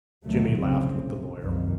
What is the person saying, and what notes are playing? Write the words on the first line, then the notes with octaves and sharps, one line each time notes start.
Jimmy laughed with the lawyer.
D2 G#2 B2 D#3 F#3 A3
F1 C2 A#2 C#3 C4
C3
F#1 C2 F2 D#3